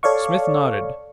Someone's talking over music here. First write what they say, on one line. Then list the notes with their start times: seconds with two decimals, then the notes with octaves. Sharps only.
Smith nodded.
0.03 A4 C#5 D5 F5 C#6